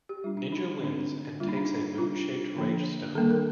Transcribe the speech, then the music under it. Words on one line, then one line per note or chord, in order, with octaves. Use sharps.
Ninja wins and takes a moon-shaped Rage Stone.
G4
G3 D4 F4
D4
D#4
D3 A3 C4 D4
G3 A#3 D4 F4
D#4
D4
D#4
G3 D4 F4
D3 F3 A#3 D4
D#3 G3 A#3 D4 A4
A#4